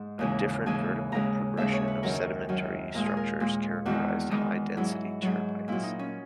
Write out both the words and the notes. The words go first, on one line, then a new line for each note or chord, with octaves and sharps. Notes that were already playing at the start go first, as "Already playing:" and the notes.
A different vertical progression of sedimentary structures characterize high-density turbidites.
Already playing: G#2
D#2 C#3 E3 G#3
D#2 C#3 E3 G#3 G#5
D#2 C#3 G#3 A#5
D#2 C#3 G#3 E5
C#5
B4
F#2 D#3 F#3 A#4
F#2 D#3 F#3
A#2 G#3 A#4
G#4
A#4
A#2 G#3
E2 D#3 G#3 F#4
E2 D#3 G#3
G#2 F#3 E4
G#2 F#3
A#2 F#3 E4
D#4
C#4